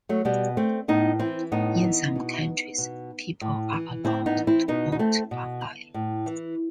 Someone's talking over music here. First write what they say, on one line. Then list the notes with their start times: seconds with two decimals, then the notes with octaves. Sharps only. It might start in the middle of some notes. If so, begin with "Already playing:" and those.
In some countries people are allowed to vote online.
0.09 F#3 A3
0.25 B2 G3 B3
0.57 A3 C4
0.88 A2 B3 D#4
1.19 E3 C4 E4
1.52 A2 B3 D#4
1.84 E3
2.16 B2
2.78 B2
3.41 A2
3.73 E3
4.05 A2 C4 E4
4.26 B3 D#4
4.36 E3
4.47 C4 E4
4.68 B2 B3 D#4
4.92 D#4
4.99 A3 C4
5.31 B2
5.94 A2
6.26 E3